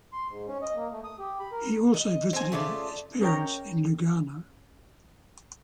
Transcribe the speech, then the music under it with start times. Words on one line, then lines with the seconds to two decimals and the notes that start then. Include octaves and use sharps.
He also visited his parents in Lugano.
0.13 C6
0.29 G#2
0.48 C#4
0.62 D#5
0.76 A#3
0.92 A3
1.04 D#6
1.19 G4
1.40 B5
1.52 A#4
1.94 D#5
2.33 C4 G#5
2.52 C#3 A3 F4 D5
3.21 C#4 A#4 C#5 G5 A#5